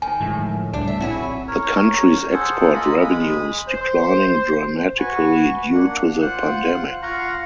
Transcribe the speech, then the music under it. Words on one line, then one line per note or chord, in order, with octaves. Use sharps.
The country’s export revenues declining dramatically due to the pandemic.
D#3 G#5
A2 D3 F3 G#3
C#2 G3 A3 D4
E5
A#1 C4 E4 F#4 G#4 C#5
A#4 C#5
G#4 A4 C5 F#5
A#3 F4 D#5 B5
G#3 B5 D#6
C5
F#4 B4 G#5 C#6
A#3 D4 F#5
F4 C5 F#5 F#6
F4 F5 F#5 A#5 C#6